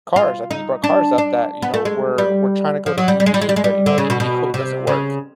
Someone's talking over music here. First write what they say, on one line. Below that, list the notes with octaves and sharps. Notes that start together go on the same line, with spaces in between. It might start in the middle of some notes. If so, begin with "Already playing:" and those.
cars, I think he brought cars up that, you know, we're we're trying to go to EV, but, you know, EV, oh, doesn't work,
F4
D#4
D4
D4
B3
A3
G#3
G3
F3
F#3
G3
G3
G#3
G3
G#3
G3
G#3
G3
D3
C#3
B2
B2
C3
C#3